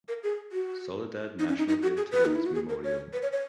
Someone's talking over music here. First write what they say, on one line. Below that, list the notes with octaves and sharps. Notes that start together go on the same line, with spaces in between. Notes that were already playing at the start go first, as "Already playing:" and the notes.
Soledad National Veterans Memorial.
A#4
G#4
F#4
D#4
C#4
D#4
D#4
F#4
G#4
B4
D#4
E4
F#4
G#4
A#4
C#5
B4
C#5
C#5